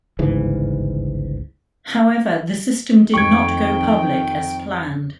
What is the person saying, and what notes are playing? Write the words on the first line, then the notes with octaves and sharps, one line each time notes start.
However, the system did not go public as planned.
G1 C#2 G#2 E3
F2 D#3 G5 C#6 G#6